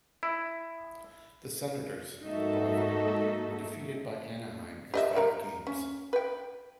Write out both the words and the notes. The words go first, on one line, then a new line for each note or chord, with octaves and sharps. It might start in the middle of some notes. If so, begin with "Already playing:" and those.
The Senators, however, were defeated by Anaheim in five games.
E4
G#2 A#3 D#4 F#4 A4 E5
G4 D#5 E5
A#4 A#5
C#4
B4 G5